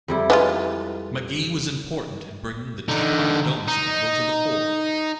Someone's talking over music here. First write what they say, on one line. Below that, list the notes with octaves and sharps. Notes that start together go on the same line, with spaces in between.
Magee was important in bringing the Teapot Dome Scandal to the fore.
F2 G3 E4
E3 G#3 F4
D3 D#4
D#4